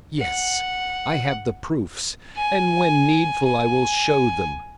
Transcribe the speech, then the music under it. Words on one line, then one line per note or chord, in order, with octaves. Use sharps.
Yes, I have the proofs, and when needful I will show them.
F#5
G#5
G#5